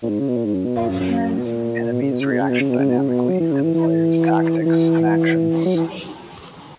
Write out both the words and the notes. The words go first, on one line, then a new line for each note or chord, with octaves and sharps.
Enemies react dynamically to the player's tactics and actions.
A#2
G#2
C#3
B2
A#2
G#2
F#2
B2
A#2
F#2
F#2
B2
A#2
B2
C#3
B2
C#3
B2
C#3
B2
C#3
B2
C#3
B2
C#3
B2
F#3
E3
C#3
E3
E3
D#3
E3
F#3
E3